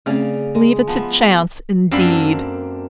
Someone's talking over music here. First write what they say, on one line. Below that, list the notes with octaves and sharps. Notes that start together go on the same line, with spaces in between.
Leave it to chance indeed!
C#3 A3 C4 C#4 D5 F5
G#3
F3 B3 E5 A5
F#2 A#3 C4 D4 A4 B5